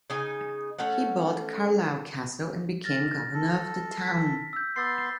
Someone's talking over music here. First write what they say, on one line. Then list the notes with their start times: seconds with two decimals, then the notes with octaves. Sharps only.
He bought Carlisle Castle and became governor of the town.
0.10 C#3 D#4 G#5
0.79 A3 C#4 A4 F#5
2.84 F6 A6 A#6
3.34 A4
4.03 B6
4.53 E6 G6
4.76 B3 C6 E6 A6 C7